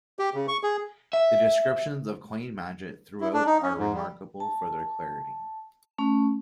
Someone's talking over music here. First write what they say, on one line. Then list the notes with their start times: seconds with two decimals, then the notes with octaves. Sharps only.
The descriptions of coin magic throughout are remarkable for their clarity.
0.19 G4
0.34 C#3
0.48 C#6
0.63 G#4
1.13 E5
3.21 E4
3.34 D4
3.46 D#4
3.63 C#4
3.77 G#2
3.94 G3
4.40 A5
5.98 A3 C#4